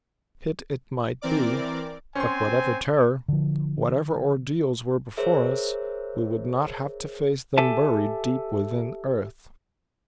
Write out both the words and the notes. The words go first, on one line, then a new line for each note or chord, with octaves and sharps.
Pit it might be, but whatever terror, whatever ordeals were before us, we would not have to face them buried deep within earth.
E3 C4 A#4 D5 D6
C4 C#4 C5 G#5 C6
D3 F3
G#4 A#4 C5 C#5 E5
G4 A4 E5 G#5 A5